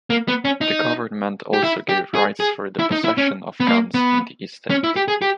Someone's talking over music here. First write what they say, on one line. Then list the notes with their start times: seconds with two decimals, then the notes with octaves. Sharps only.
The Government also gave rights for the possession of guns in the estate.
0.10 A#3
0.28 B3
0.45 C#4
0.61 D#4
1.53 G4
1.64 E4
1.89 G4
2.15 G#4
2.40 G#4
2.79 E4
2.92 D#4
3.04 E4
3.18 C#4
3.60 B3
3.69 A#3
3.94 B3
4.70 C#4
4.84 E4
4.96 G4
5.08 G#4
5.22 G4